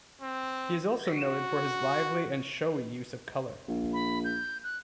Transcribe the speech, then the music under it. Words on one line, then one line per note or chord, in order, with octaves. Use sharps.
He is also noted for his lively and showy use of colour.
C4
F#4
A#1
B5
G6
F#6